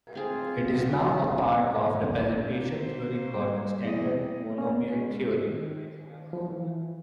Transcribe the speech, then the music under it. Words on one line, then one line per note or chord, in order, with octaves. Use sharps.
It is now a part of representation theory called "standard monomial theory".
C4 F4 G#4
F#4
A#3 D4 E6
C5
G3 G5
E2 A#2 E3 D#5
C#4
G#3
D#3
F3
E3